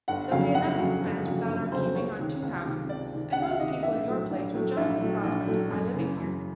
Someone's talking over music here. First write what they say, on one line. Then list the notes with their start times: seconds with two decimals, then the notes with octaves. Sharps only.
There'll be enough expense without our keeping on two houses; and most people in your place would jump at the prospect of my living here.
0.08 G1 F#5
0.31 F2 C#3 F#3 F5
0.55 G1 F#5
0.78 F2 C#3 F#3
1.02 G1
1.25 F2 C#3 F#3
1.49 G1
1.72 F2 C#3 F#3 C5
1.95 C#2 C#5
2.19 C3 D#3
2.42 C#2
2.66 C3 D#3
2.89 C#2 D5
3.13 C3 D#3
3.32 C#2 F#5
3.42 F5
3.51 E5
3.60 C3 D#3 D#5
3.83 A#1 E5
4.07 A2 F#3 A3
4.30 A#1
4.53 A2 F#3 A3
4.77 A#1 E5
5.00 A2 F#3 A3
5.24 A#1
5.47 A2 F#3 A3
5.70 F#2
5.94 C#3 E3
6.17 F#2